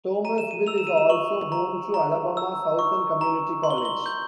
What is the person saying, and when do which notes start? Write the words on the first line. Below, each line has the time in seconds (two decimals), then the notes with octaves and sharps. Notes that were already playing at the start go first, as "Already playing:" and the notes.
Thomasville is also home to Alabama Southern Community College.
0.25 A#5 D#7
0.38 E7
0.51 D#7
0.67 E6 F7
0.78 E7
0.87 D#7
0.97 E7
1.09 C#6 F#7
1.52 A#5
1.94 A#5
2.37 E6
2.79 C#6
3.21 A#5
3.63 C6
3.70 G7
3.78 F#7
3.85 G7
4.06 G6